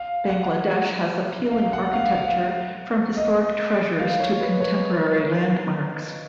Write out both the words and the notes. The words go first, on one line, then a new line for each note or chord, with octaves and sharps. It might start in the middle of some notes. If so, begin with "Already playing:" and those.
Bangladesh has appealing architecture from historic treasures to contemporary landmarks.
Already playing: F5
F#5
F5
F#5
F5
F5
D#5
F5
C#5
B4
C#5